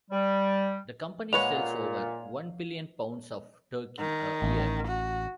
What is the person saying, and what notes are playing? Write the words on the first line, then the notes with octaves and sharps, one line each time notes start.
The company sells over one billion pounds of turkey a year.
G3
A#2 G#3 B4 C#5 F5 F#5 F7
D#3
A1
F#4